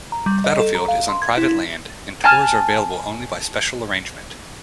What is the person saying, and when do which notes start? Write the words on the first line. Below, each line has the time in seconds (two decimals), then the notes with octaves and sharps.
The battlefield is on private land and tours are available only by special arrangement.
0.12 A#5
0.26 G3
0.44 D#5
0.59 A4
0.75 A#5
0.88 F5
1.09 C6
1.22 G#6
1.38 E4
2.24 G#5 A5 F6